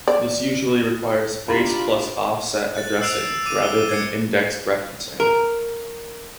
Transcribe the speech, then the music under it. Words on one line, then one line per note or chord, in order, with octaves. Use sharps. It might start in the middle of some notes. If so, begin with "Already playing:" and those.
This usually requires "base plus offset" addressing, rather than indexed referencing.
D5
D4 E4 F4 G4 A#5 B5
F#6 A6
E6 F#6 C7 D7 E7 F7
D6 D#7
D#7 G7
G#6 C7 C#7
A#4